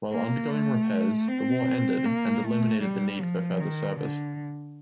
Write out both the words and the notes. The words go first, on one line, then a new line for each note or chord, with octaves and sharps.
While undergoing repairs, the war ended and eliminated the need for further service.
A#3
A3
C4
A#3
A3
G3
F3
D#3
D3